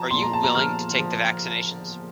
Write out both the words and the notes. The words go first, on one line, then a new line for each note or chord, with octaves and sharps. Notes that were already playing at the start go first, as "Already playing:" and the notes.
Are you willing to take the vaccinations?
Already playing: F3 A5 A#5
A#2 C6
A#5
A5
A#5
F3 F6
F3